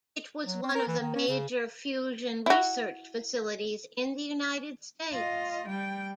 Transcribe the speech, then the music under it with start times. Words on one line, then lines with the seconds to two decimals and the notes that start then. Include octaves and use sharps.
It was one of the major fusion research facilities in the United States.
0.46 F#3
0.63 C4
0.75 A#4
0.88 E3
1.00 D#3
1.15 C#4
1.28 C#3
2.46 E4 F#4
5.13 F4 D#5
5.67 G3 G5